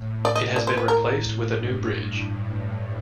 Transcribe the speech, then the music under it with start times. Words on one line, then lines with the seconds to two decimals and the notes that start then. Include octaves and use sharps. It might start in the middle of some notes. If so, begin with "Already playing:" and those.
It has been replaced with a new bridge.
Already playing: A2
0.25 D5
0.36 D#5
0.56 A2 D5
0.67 C5
0.77 B4
0.88 A2 A#4
1.52 G2